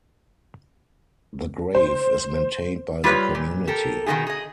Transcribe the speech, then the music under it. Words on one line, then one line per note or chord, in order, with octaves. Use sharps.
The grave is maintained by the community.
C5
G3 F4 G4 B4 C#5 D#5
A#2
G4 A4 A#4
B2 D#3 E3 A3 D#4 G#4
G#4 D#5